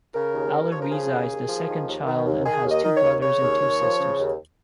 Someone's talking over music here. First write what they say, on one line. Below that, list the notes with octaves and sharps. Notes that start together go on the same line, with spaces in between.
Alireza is the second child and has two brothers and two sisters.
C#3 A#4
D#2
D#2
F3 C#5
A#4
C#3 G#4
D#2
D#2
F3
D#3
D#2
D#3
D#2
D#3 G#4
D#2
D#5
D#3
C#5
D#2
C#3 C#5
D#2
D#2
F3
C#3
D#2